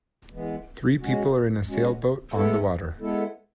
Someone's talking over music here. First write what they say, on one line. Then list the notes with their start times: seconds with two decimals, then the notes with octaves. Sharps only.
Three people are in a sailboat on the water.
0.32 E3 G#3 B3
1.00 G#3 C#4 F#4
1.66 G#3 C#4 F#4
2.34 G#3 B3 E4 A4
3.00 G#3 B3 E4 A4